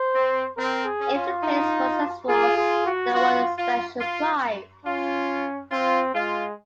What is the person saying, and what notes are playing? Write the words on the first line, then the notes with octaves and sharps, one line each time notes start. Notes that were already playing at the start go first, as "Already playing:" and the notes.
If the players were successful they won a special prize.
Already playing: C5
C4
C4 A#4
G#4
C#4
F4
D#4
F4 G#4
G#4
F#4
F4 F#4
F4
F4
C#4 F4
C4 F4
G#3 F4